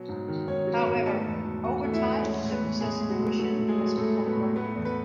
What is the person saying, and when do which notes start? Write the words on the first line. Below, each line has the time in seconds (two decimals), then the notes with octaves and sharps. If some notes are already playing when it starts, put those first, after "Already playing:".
However over time the possessive version has become dominant.
Already playing: B2 F#3
0.09 G#2
0.28 D#3
0.48 G#2 C#4 C#5
0.67 F#3
0.77 B3 B4
0.87 G#2
1.06 A3 A4 A5
1.26 E2
1.45 B2
1.64 E2 F#4 F#5
1.84 A3
1.93 E4 E5
2.03 E2
2.23 G#3 C#4 C#5
2.42 A2
2.52 B3 B4
2.61 E3
2.81 A2 G#3 G#4
3.01 G#3
3.10 F#3 F#4
3.20 A2
3.39 F#3 A3 F#4
3.58 A2
3.68 G#3 G#4
3.78 F#3
3.97 A2 A3 A4
4.17 A3
4.26 B3 B4
4.36 A2
4.56 A3 B3 B4
4.76 E2
4.85 B3 B4